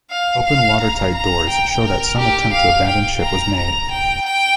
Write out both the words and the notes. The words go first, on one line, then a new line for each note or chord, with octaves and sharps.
Open watertight doors show that some attempt to abandon ship was made.
F5
F5
A#5
A#5
G5
A#4
G4
F5
G5
A#5
A#5
G5
G5